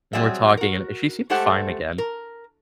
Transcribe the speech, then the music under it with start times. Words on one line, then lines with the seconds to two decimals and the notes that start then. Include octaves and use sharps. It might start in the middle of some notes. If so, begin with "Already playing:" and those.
and we're talking, and, eh, she seems fine again,
0.13 F#3 G3 C4 G#4 D5 E5
0.57 F#4 A#4
1.30 G#3 A3 G4 A4 C5 F#5
1.98 A#4